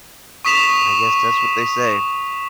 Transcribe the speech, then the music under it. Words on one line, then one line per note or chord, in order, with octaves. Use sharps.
I guess that's what they say.
C#6 D#6 B6 E7 F7